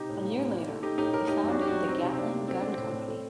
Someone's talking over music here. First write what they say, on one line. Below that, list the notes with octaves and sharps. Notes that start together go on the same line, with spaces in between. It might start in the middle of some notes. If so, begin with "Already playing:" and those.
A year later, he founded the Gatling Gun Company.
Already playing: C3 D#4 G4
A2
A#3
A2
A#3
A3
A3 D#4 G4
A2 D#4 G4
A2 G4 A#4
A#3 D#4 G4
F#2
D4 F#4
F#3 G4
D4 F#4
F#3
F#3 C4 D#4
C3
C4
A#3 D4
C3
A3 C4
A3 D4
C4
A2
A2
A3